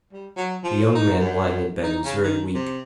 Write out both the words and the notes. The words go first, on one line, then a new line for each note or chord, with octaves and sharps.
The young man lying in bed was very weak.
G3
F#3
F3
D#4
F#2
D#4
C#3
D#3
C3